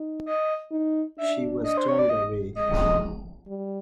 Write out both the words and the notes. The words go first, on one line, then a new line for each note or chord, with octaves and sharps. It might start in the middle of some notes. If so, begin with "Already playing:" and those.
She was turned away.
Already playing: D#4
D#5
D#4
D4 E5
D#5
C5
C#5
D5
D#5
G#3 D#5
G3